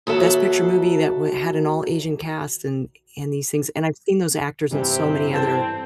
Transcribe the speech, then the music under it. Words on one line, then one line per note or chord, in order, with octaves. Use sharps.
Best Picture movie that w had an all Asian cast," and and these things, and I've seen those actors in so many other
D#2 F#4 A4 E5
G2 C3 E3 E4 G4 C5
C4 A4 C5